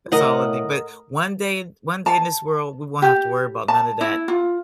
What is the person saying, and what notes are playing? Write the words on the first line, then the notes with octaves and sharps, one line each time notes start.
That's all I need, but one day in one day in this world, we won't have to worry about none of that.
A2 A#4 D#5 F#5
A5
G4
A5
E4
F4